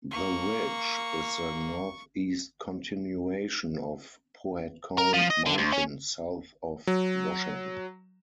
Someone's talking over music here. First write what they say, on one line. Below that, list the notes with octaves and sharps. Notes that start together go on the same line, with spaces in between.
The ridge is the northeast continuation of Pohatcong Mountain south of Washington.
A#3 C#6
A#4
F3
D#5
D3
D2
C#4
F#3